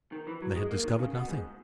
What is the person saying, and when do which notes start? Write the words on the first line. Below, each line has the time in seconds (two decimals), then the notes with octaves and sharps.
They had discovered nothing.
0.12 D#3
0.27 E3
0.42 F#3
0.56 G#3
0.71 A#3
0.84 D#3
0.99 C#3
1.14 B2
1.29 G#2